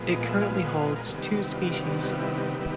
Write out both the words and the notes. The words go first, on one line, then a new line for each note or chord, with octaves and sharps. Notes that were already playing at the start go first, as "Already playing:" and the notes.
It currently holds two species.
Already playing: A#2 F3 G#3 B3
D#5
E5
F5
F5
F#5
F5
D#5
A#4
C3 D#3 G3 B3 A4
G#4
G4
F#4
E4
F4
F#4
F4
C#4
D4
F#4
F4
E4
D#3 G3 B3 E4